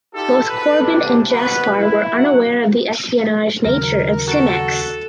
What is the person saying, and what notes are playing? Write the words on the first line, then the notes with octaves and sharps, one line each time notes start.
Both Corbin and Jaspar were unaware of the espionage nature of Simex.
D#4 F4 G4 A4
A4 B4
E2 G2 C3 D4
D2 B2 B3 B4
E4
D#3 F#3 F#5
D#2 C#3 F#3 A#4
F#4 A4